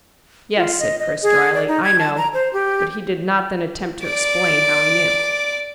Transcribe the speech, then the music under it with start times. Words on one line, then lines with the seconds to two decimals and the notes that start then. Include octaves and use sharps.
"Yes," said Chris dryly, "I know;" but he did not then attempt to explain how he knew.
0.57 F4
0.79 D#5
0.99 D#5
1.23 G#4
1.54 D5
1.68 D#4
1.84 G#6
1.99 A5
2.17 A#5
2.34 C5
2.53 G4
4.04 D5 D6